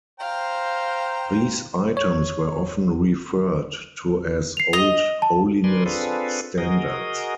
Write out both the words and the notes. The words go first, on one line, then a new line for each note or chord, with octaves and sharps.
These items were often referred to as old holiness standards.
C5 F5 G5 A#5
C#5
C7 F7
D#5 F7
A5
A#4 B4 D5 G#5 C6
C4 D4 F4 G#4 A4 B4
F#4 G#4 A#4 D#5